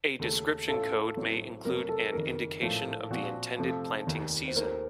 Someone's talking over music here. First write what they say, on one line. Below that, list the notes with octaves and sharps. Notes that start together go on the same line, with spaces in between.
A description code may include an indication of the intended planting season.
D#2 C#3 A3 C#4
A1 A2 A3 C#4 F4 A4
A1 A2 F#3 A3 C4
F2 C3 F#3 A3 A#4
A4
F#1 F2 D#3 A#4
A#1 A2 F3 A3
A#2 F3 C4 F#4
F2 C3 F3 A3 A4
F1 D#2 D#3
C5
D#2 D#3 A3 A#4